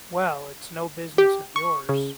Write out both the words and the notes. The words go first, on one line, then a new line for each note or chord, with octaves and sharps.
Well, it's no business of yours.
G4
C#6
C#3